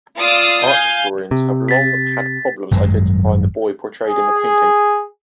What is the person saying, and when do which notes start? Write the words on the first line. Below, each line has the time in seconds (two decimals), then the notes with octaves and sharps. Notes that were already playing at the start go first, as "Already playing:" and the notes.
Art historians have long had problems identifying the boy portrayed in the painting.
0.18 F4 D5 F5 D#6 E6 C7
0.66 F5 G#5 G6
1.31 C3
1.68 A6 B6
2.71 G#1 F#2 F#3 G#3
4.05 G#4